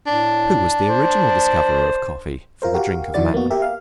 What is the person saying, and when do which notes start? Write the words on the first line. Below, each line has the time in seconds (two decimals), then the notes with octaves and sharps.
Who was the original discoverer of Coffee, for the drink of man?
0.07 A2 D4
0.89 C5
2.62 F4 A#4 C5
2.74 F#4 G4 A#4 F5
3.14 F2 D#3 E4 F#4 D5 A6
3.34 A#3 B3 F#4
3.51 G4 A#4 E5
3.62 F5